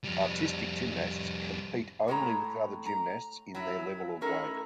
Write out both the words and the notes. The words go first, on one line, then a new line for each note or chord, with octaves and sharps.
Artistic gymnasts compete only with other gymnasts in their level or grade.
F2 G3
A2 G#3 C#5 A#5
A#5
F#3 E4
A2 C#4 D#4 E4 A4 A#4